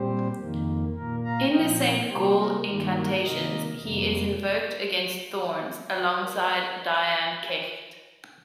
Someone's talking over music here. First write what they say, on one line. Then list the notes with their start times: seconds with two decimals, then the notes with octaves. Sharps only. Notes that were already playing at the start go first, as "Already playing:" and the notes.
In the Saint Gall incantations, he is invoked against thorns, alongside Dian Cecht.
Already playing: A#2 G3 C4 G4 C5
0.39 F2 D#3 A#3
0.96 A#2 A#3 A#4
1.25 F5 A#5
1.52 A#2 F3 C4 D#5 G5
2.09 C3 G3 A#3 G4 C5
2.37 A#4
2.66 G2 D#3 G3 A#3 G4
2.94 A#4
3.22 C3 D#3 A#3 A#4 D#5
3.79 F2 C3 G3 A#3